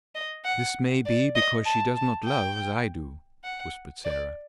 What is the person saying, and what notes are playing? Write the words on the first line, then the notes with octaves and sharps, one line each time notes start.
"This may be because she does not love as I do," whispered Sarah.
D#5
F#5
D5
D#5
A5
A5
G5
F#5
D5